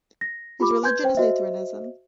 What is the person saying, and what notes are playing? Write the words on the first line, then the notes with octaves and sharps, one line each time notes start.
His religion is Lutheranism.
A#6
F4 G4 B5 D6
B4 G#5 C6 G6 G#6
C5 G5
F#4 C5 D#5 E5